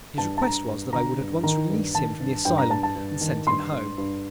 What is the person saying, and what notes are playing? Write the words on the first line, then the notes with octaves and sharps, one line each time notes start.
His request was that I would at once release him from the asylum and send him home.
G2 A5
A5
G2 A#5
G2
D3 A#5
G2
D#3 A#5
G2
D#3 A5
G2
G2 G5
A#5
G2 A5
A5
G2
D#3
G2 C6
G2
G2